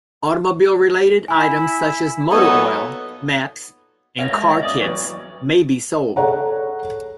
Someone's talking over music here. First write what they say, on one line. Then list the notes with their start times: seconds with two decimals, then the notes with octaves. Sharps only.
Automobile-related items such as motor oil, maps and car kits may be sold.
1.28 E4 G#5 B5
2.31 A#2 F#3 B3 D#4 A4 C#5 D#6
4.19 A#4 C#5 E5 F5
4.32 G#3 A#6
4.47 C#5 D#5 F#5
4.63 C#4 D5 D#6
4.80 A#2 E3 F#3 C#6 A6
6.16 G#4 A4 C#5 F#5 A#5